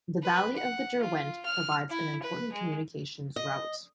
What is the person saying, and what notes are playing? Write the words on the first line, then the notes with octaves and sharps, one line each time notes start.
The valley of the Derwent provides an important communications route.
B4
F#5
F4
F6
E4
B4
G#3
D#5